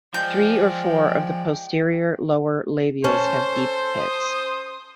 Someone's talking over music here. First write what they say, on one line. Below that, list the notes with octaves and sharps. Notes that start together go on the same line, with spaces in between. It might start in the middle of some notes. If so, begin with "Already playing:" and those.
Three or four of the posterior lower labials have deep pits.
F3 G#3 D5 G5 G6
C#4 C5 A5
A4
D#6